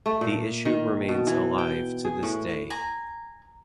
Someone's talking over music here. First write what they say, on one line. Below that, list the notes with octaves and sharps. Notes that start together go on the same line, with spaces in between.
The issue remains alive to this day.
A3
A#2
D#3
B2
E3
G5
G#4
A2
G#5 A#5